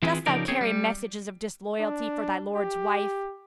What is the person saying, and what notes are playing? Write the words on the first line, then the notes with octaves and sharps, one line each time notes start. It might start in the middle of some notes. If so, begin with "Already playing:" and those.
Dost thou carry messages of disloyalty for thy lord's wife?
E3 C4 E4 F4 G#4 B4
C#3 F3 D#4 G4 A#4 D5
C4 C#4 D#4 G#4 C#5
G3
D4
G4